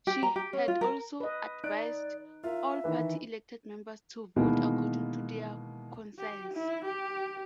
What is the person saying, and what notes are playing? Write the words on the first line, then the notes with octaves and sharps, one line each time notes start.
She had also advised all party elected members to vote according to their conscience.
G4
A#5
G4
C#4
F4
A#4
B4 D#5
D#4 D5 F#6 D7
F4 A#4 E5
D#3 E3 B4
B2 D#3 E3 G#3 A#3 B3
G4
E4
G4